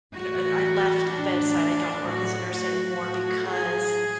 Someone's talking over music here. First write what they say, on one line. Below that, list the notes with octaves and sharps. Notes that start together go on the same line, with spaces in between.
n and I left the bedside; I don't work as a nurse anymore because
A2 E3 F#4
A2 E3 D4
A2 F#3 F#4
F#4
A2 F#3
G#4